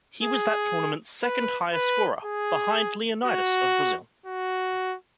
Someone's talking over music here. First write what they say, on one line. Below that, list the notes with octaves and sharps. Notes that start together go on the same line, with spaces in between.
He was that tournament's second-highest scorer, behind Leonidas of Brazil.
G#4
B4
B4
G#4
F#4
F#4